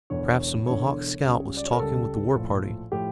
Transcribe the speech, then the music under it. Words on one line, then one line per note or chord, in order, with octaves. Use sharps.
"Perhaps a Mohawk scout was talking with the war-party."
E1 E2 D3 C#5
C#5
E1 E2 D3 C#5
C#2 C#3 G3
D5
C#5
A#4
C#2 C#3 G3 A4
A#1 A2 F3
A2 F3 G4